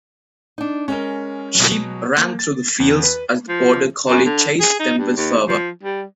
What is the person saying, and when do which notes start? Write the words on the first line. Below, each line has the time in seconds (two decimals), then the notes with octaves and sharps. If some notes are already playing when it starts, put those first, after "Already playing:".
Sheep ran through the fields as the border collie chased them with fervor.
0.58 D4 D#4
0.88 G#3 C#4 A#4 D#5
1.55 B2 F#3
2.18 A#3
2.39 A6
2.80 E2
3.03 B4
3.49 F3
4.08 F#2
4.25 D3
4.60 G#4
4.79 D#4
4.98 G2
5.16 D#2
5.48 F3
5.83 G3